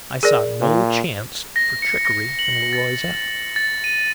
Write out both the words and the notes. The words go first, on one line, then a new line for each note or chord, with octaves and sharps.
I saw no chance for trickery in Le Roy's act.
G#4 A#4 D5
A#2
A#6
C#7
A#6
F#7
A6
A6
D#7